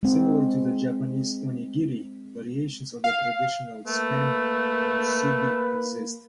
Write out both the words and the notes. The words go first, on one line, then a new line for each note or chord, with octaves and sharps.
Similar to the Japanese onigiri, variations on the traditional Spam musubi exist.
G#3 C4
F5
A3 A#3 B4